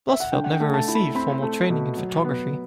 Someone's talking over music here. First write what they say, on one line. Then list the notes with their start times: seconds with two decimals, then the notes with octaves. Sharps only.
Blossfeldt never received formal training in photography.
0.08 E5
0.20 F#5
0.32 D3 G5
0.44 F#5
0.53 G5
0.60 A3
0.74 A5
0.88 E4
0.95 B5
1.15 C4 B5
1.42 A3
1.70 B2
1.97 F#3
2.24 B3